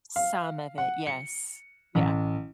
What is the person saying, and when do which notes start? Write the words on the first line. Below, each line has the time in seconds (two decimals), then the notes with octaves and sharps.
Some of it, yes, yeah.
0.16 F5
0.78 F#5
1.07 C#7
1.95 A1